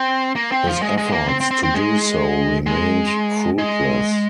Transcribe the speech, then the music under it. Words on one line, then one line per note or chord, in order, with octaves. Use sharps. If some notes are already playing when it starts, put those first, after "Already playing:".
His efforts to do so remained fruitless.
Already playing: C4
A#3
C4
F3
G#3
G#3
A#3
C4
C4
C4
C4
G#3
G#3
G#3